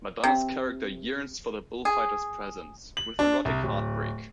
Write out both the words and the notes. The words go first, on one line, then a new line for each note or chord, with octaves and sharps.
Madonna's character yearns for the bullfighter's presence, with erotic heartbreak.
C3
G#4
F#7
D4
C2
D1